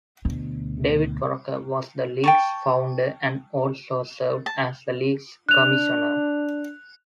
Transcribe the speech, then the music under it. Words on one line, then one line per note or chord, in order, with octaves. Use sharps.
David Waronker was the league's founder and also served as the league's commissioner.
D2 B2
G5 A5 C#6
A5
D4 F#6 F7